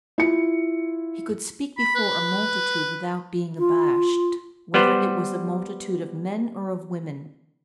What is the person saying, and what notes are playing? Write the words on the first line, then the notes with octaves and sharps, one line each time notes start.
He could speak before a multitude without being abashed, whether it was a multitude of men or of women.
E4 F4 C#7
B5
B4
F4
G3 B3 B4 C5